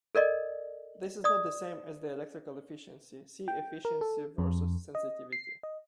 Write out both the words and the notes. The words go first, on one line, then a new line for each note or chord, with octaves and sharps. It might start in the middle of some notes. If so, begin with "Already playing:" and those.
This is not the same as the electrical efficiency; see Efficiency versus sensitivity.
A4 A#4 D5 D#5
D5 D#6
G5
A#4
A4
F2
D#5
C7
D#5